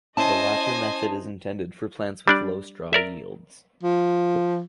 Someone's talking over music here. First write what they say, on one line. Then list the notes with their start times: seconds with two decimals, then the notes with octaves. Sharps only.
The latter method is intended for plants with low straw yields.
0.17 C#4 E4 C5 D#5 G#5 A5
2.28 G3 D4 D5
2.93 A#4 D5 E5
3.83 F3